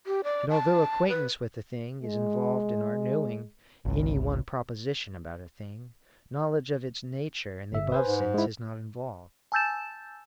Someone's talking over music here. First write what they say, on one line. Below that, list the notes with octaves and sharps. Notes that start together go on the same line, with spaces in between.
And although acquaintance with a thing is involved in our knowing any one proposition about a thing, knowledge of its 'nature', in the above sense, is not involved.
G4
D5
A5
B4
G#3
G#1 C#2
G1 E5
B4 C5 G#5
G#2
G#3 E4
G#5 A5 E6 G6 A6 E7